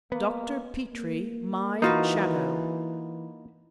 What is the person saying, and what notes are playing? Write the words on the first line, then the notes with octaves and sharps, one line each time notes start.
Dr. Petrie--my shadow...
A#3 B3
A#3
E3 A#3 D#4 F4 F#4 B4